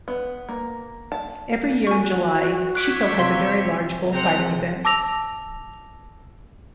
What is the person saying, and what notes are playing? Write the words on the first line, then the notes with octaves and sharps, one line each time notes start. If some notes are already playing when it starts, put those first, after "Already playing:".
Every year in July, Xico has a very large Bullfighting event.
B3
A#3
A5
F#4 G#5 C#6
G4 C#5 E5 F#6 D7
C3 F5 C6
C3 G#4 C5 F#5 G5 A#5
A5 D6 E6 A#6 F7